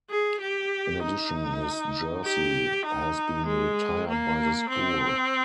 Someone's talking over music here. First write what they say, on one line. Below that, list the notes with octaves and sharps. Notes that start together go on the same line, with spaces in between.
In addition, his jersey has been retired by the school.
G#4
G4
D#4
G4
D#4
G#3
A#3
C4